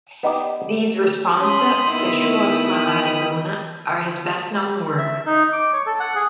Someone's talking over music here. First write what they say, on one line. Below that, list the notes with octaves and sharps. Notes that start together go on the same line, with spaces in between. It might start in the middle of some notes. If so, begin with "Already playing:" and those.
These "responsa", "Teshuvot Mahari Bruna", are his best known work.
B3 D#4 G4 D5
C#4 B5 C6 D#6
D#3 B3 E4
G5
E5
D#4
D6
C#5
A4
F#5
G#4